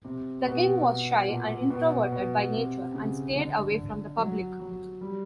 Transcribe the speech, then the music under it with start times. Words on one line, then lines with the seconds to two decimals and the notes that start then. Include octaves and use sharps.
The king was shy and introverted by nature, and stayed away from the public.
0.05 C3
0.46 B2
1.28 A#2
1.70 B2
2.12 B2
2.54 C3
2.94 C#3
3.36 D3
4.18 F#3
4.60 F#3
5.01 G3